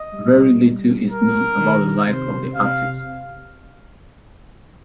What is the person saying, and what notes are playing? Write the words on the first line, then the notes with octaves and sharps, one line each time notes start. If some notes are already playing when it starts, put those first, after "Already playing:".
Very little is known about the life of the artist.
Already playing: D#5
G3
A#4
D#3
C3 C5
C3 F5